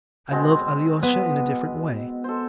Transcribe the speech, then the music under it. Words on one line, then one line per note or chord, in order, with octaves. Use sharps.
I love Alyosha in a different way.
B2 G#3 C4
B3
A4 C5